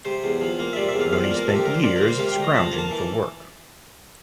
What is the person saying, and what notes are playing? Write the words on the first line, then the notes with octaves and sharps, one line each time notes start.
Roney spent years scrounging for work.
C3 C5
E2
F3
A#3
E5
C3 D5
E5
E2
F5
F3 F5
D5
A#3
A#4
C3 A4
G4
D2 A#4
C5
F3 D5
A#4
A#3
C5
C3 F5
G5
D2
A#5
F3 A5
A#5
A#3
A5
E3